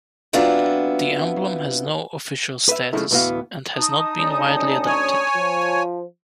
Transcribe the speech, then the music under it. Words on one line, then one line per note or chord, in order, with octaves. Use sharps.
The emblem has no official status, and has not been widely adopted.
F#3 B3 C4 D4 E4 F4
B4 E5
C#3 E3 F3 G#3 A3 E4
D2 A2 E3 B3 F#4 F5
D#4 A5 D#6
D2 C#4 D4
C#5 G#5
F3